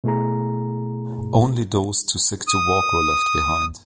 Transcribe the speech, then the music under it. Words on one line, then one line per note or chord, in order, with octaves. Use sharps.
Only those too sick to walk were left behind.
B2 A3 E4 G#4 A#5
D#6